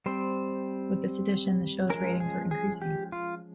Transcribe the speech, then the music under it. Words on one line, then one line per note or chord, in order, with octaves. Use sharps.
With this addition, the show's ratings were increasing.
G3 C4 C5
F3 G#3 C#4 A#4
G#4
G#4
G4
F4